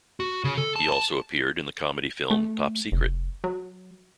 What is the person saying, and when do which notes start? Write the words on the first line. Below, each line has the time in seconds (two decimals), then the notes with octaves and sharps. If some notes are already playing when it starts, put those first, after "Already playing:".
He also appeared in the comedy film Top Secret!
0.20 F#4
0.44 C#3
0.57 A4
0.76 A5
0.89 A5
2.31 A3
2.92 F1
3.44 F#3